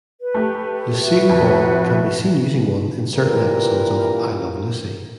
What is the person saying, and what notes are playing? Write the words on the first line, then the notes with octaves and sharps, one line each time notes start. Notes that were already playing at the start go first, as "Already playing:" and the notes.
Lucille Ball can be seen using one in certain episodes of "I Love Lucy".
B4
A3 G4
F#4 B4 E5
F2
A#2 E3 G4 A#4 B4